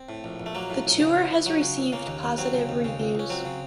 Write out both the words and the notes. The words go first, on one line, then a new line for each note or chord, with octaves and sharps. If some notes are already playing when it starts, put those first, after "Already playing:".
The tour has received positive reviews.
Already playing: C4
A2
A#1
A#1
A3
F#3 A#3
A2
A#1
C#3
C#2
C#2
F#3
C#3
C#2
C#3 A#3
D#2
D#2
F#3 C4
C#3
D#2
C#3
C#2
C#2 C#4
F#3 C4
C#3